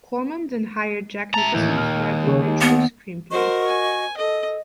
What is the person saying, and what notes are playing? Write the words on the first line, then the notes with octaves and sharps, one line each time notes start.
Corman then hired Jack Nicholson to write the eventual screenplay.
E5 A5 A#5
D#2 A2 E3 E4
A#2 F6
C#3 G#4 C#5
D#4 G4
B3
F#4 A#4 C5 D#5 C#6
G#5
A4 D#5